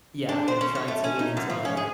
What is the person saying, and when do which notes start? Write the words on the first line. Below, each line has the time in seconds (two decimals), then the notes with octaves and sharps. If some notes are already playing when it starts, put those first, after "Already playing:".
Yeah, and trying to lean into the
0.29 D4
0.48 C5
0.61 C#4
0.75 C#5
0.88 A3
1.04 C#4
1.19 D#4
1.37 F#2
1.50 F3
1.65 C#4
1.77 G#4